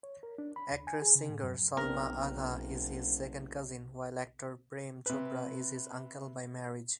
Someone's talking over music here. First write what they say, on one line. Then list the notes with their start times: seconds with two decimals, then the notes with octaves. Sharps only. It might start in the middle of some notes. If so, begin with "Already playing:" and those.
Actress-singer Salma Agha is his second cousin, while actor Prem Chopra is his uncle-by-marriage.
0.03 C#5
0.23 A#4
0.38 D4
0.56 B5
0.71 D2
0.87 G#5
1.02 G#4
1.15 C#3
1.29 A2
1.43 F#2
1.77 F#1 B1 B3 C4 D4 A#4
5.06 C3 B4